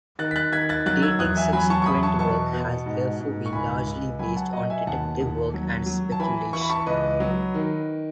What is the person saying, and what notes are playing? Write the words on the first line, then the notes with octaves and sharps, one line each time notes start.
Dating subsequent work has therefore been largely based on detective work and speculation.
D#3 F#6 A6
B6
F#6 A6
D#3 G#6 B6
F#6 A6
F#3 F#6 A6
E6 G#6
E2 D#6 F#6
E5 G#5
F#3 G#5 B5
A5 C#6
C#6
E2 B5 D#6
A5 C#6
B2 A5 C#6
B2
G#2
G#2
C#6
C#2 G#5 B5
C#2
F#3 G#5 B5
F#5 A5
B2 D#5 F#5
E5 G#5
D#2 F#5 A5
D#2
F#3
F#3
A5
E3 G#5 B5
E3 C#6
B5
A5 C#6
C#2 B4 D#5
F#3
D#3